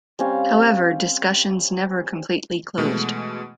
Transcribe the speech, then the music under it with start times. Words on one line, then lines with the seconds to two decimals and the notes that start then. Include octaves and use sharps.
However discussions never completely closed.
0.19 G3 C4 C#4 F5
2.78 B2 E3 G#3 A3